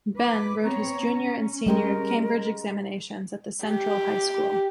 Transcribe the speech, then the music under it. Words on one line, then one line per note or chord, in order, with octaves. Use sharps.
Benn wrote his Junior and Senior Cambridge Examinations at the Central High School.
B4 D6
B3 C4 C#5 A#5
C#4
G3 G#3 G4 A#4 D#5
G4